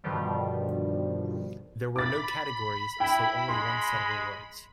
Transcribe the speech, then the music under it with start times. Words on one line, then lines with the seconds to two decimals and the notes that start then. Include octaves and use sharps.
There were no categories, so only one set of awards.
0.04 G2 B2 D3 D#3 F3 G3
1.96 B5 D6 A6
3.00 E4 G5
3.49 G#3 C6